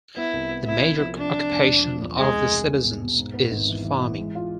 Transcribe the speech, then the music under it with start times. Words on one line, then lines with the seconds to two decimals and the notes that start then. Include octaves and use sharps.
The major occupation of the citizens is farming.
0.17 B3 E4
0.34 C2
0.51 B3
0.67 C3 E4
0.84 B3
1.01 F3
1.17 C3 D4
1.34 F3
1.51 E1
1.68 E1
1.83 F3
2.01 E1
2.17 C2 G#3
2.34 C2
2.51 C2
2.67 C2
2.85 B2
3.01 B2
3.18 G#2
3.34 B3
3.51 G#1
3.68 E3
3.85 E3
4.01 E3
4.18 G#3
4.35 F4